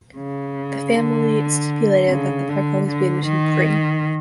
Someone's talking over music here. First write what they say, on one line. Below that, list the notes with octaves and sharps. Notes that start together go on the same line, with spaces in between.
The family stipulated that the park always be admission-free.
C#3
D3
C#3
D3
D3
D#3